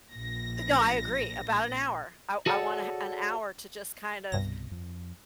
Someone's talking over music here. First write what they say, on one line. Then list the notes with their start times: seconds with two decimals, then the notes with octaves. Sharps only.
Uh, no, I agree, about an hour, I w I want a ha an hour to just kind of
0.13 A#1 A#6
2.46 F#4 G#4 A4 C#5 D5 F#5
4.32 C2 G2 B2 A#6
4.71 F2 F3